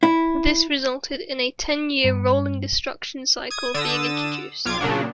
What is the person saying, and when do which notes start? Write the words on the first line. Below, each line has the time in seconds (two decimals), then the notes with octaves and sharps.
This resulted in a ten-year rolling destruction cycle being introduced.
0.03 E4
2.04 G2
3.50 D#6 G#6
3.74 D3 D#6 E6 A6 E7
4.65 B1 F4 D6 G#6
4.81 A#2 C#3 F#3 D4